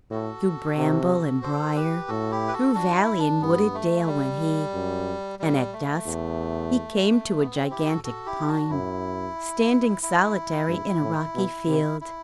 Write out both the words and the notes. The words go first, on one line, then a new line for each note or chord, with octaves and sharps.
Through bramble and brier, through valley and wooded dale went he, and at dusk he came to a gigantic pine standing solitary in a rocky field.
A2 F#4 A4
C3
A4 C5
G4 B4
A2 F#4 A4
E4 G4
B4
F#4 A4
D4 F#4
E4
D4
G2 B3
A3
G3
F#2
G3
A3
E2
B3
C4
E4 G4
F#4 A4
F#4 A4
E4 G4
D4 F#4
F#2 E4
E4
G2
A2
B2
C3
E4